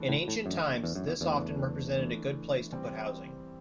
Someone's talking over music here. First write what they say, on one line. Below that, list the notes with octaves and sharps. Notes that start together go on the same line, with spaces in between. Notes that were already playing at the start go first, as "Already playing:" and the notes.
In ancient times this often represented a good place to put housing.
Already playing: E3 A3 D4
A2
A2
F#2 E3 A3 D4
E2
F#2
E2
E2 E3 A3 D4
E3 A3 D4
E3 G3 C4